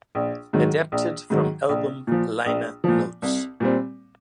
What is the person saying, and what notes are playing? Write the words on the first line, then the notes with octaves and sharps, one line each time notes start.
Adapted from album liner notes.
A#1
G#2 D#3 F#3
A#1
G#2 D#3 F#3
A#1
A#2 F3
A#1
A#2 F3
C2
A#2 G3 C4